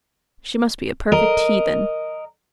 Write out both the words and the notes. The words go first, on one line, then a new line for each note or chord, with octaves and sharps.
She must be a perfect heathen.
A#4 D#5